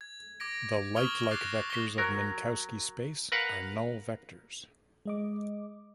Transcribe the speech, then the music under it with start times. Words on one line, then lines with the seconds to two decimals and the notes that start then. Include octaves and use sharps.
The light-like vectors of Minkowski space are null vectors.
0.01 G#6
0.40 D6 G#6 A#6 D7
0.96 C#6 D#6 F6 G#6 F7 G7
1.31 D6 F#6 A6 A#6 C7
1.70 C#6 A#6 G7
1.98 F#3 A#4
3.32 A#4 B4 F5 F#5
5.05 G#3 D#5 D6